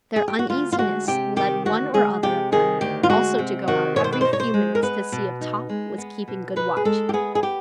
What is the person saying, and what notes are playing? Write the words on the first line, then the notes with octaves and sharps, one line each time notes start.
Their uneasiness led one or other of them also to go out every few minutes to see if Top was keeping good watch.
G#4
G4
F#4
D2 F4
F4
G#3 F#4
C3 G4
D#3 G4
D2 F#4
G#3 G#4
C3 G4
D#3 G#4
D2 G4
F4
G#3 F#4
C3
D#3 F#4
B2 C#5
C5
B4
D#4 C5
C#5
C5
G#3
A#4
B3 B4
B2
D#4
G#3
B3
B2
D#4 B4
G#4
G#3 A4
G4
B3 G#4
G#4
G4